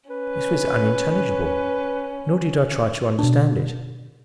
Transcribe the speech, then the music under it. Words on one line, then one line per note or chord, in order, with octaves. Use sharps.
This was unintelligible, nor did I try to understand it.
C#4 B4
B2 D4